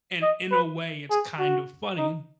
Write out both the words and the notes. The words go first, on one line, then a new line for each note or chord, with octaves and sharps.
and in a way, it's kind of funny.
D#5
B4
G#4
F#4
D#4